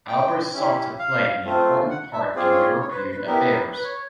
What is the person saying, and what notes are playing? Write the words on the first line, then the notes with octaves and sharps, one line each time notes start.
Albert sought to play an important part in European affairs.
G5
C#4 E4 G4
F5
A3 C4 F4
F#5
E5
C4 F4 G#4 D5
C#5
D5
C#5
B4
C5
B4
B3 E4 G4 A#4
A#4
B4
C#5